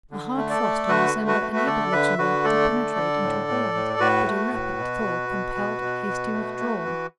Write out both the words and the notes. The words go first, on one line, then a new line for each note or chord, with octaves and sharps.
A hard frost in December enabled Luxemburg to penetrate into Holland, but a rapid thaw compelled a hasty withdrawal.
D3
A3
A4 D5
A3
D3 F#4 B4
A3
F#4 B4
A3
E5
D3 A4 D5
D3 B4 E5
D3 F#4 B4
A3 A4 D5
D3
D3
A2
A2
A2
A4
A2 F#4 B4
A3
A2
B2
B2
B2
B2
B2
B2
A3
A3
E3